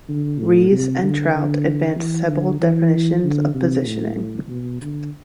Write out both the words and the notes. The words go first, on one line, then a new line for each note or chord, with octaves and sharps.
Ries and Trout advanced several definitions of positioning.
D3
A2
C3
D3
D3
E3
D3
E3
D3
C3
A2
B2
D3